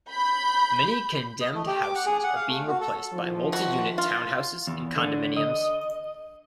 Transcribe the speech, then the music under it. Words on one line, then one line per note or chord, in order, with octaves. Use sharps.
Many condemned houses are being replaced by multi-unit townhouses and condominiums.
B5 G6
D#5
A3
G4
D6
F#5
G#4
F#5
F5
A3
F#4
A4
E2 D#3 F3
F#4
F4
E2
D3
D#5